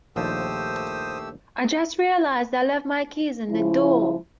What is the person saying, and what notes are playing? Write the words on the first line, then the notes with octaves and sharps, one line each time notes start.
I just realized I left my keys in the door!
A#1 D#2 F3 A3 G4 C5 D#6 E6
C#3 F3 E4